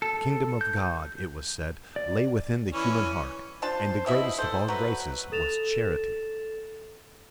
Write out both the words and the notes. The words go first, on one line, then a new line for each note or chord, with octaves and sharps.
The kingdom of God, it was said, lay within the human heart, and the greatest of all graces was Charity.
A4
G6
D5
E3 C#4
D4 F4 C5 A5
B2 E4 D#5 E5
A4 C5
F#3 F#4 B4
A4 A6 E7 F7